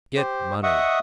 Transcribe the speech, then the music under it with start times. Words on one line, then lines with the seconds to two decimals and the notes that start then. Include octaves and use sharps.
Get money!
0.16 G4 C5
0.63 D#5 E5 F#5 C#6 D#6